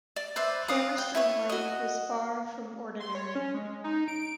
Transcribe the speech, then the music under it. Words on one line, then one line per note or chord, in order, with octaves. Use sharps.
Hamerstrom life was far from ordinary.
D5
B4 C5 D5 E5
B4 F5 D#6
G5
E4 B4 C#5
F#4 D#5
C6
C#5
C#4
G#3
D#4
D7